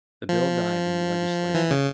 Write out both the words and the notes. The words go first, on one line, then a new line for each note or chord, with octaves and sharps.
The bill died in the Legislature.
F3
E3
C#3